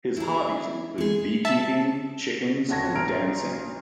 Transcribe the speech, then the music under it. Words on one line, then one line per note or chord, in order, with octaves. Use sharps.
His hobbies include beekeeping, chickens and dancing.
E4 G#4
G#3 G#4
E5 A5
D1 D3 F#4 A5 G#6 A#6
B1 A#5 F6 D7